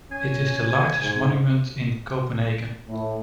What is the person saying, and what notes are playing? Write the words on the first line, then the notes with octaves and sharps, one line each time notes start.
It is the largest monument in Copenhagen.
C#4 G#5
G#2
A2